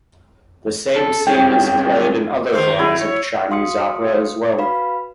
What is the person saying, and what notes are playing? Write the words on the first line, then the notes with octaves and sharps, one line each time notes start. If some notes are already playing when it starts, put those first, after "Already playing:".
The same scene is played in other forms of Chinese opera as well.
A4
C2 C#3 G5
E2 D#3 A3 C5
E4 G#4
C#5
F#4 F5 C6 D#6 C#7
F#4 B4 F5 B5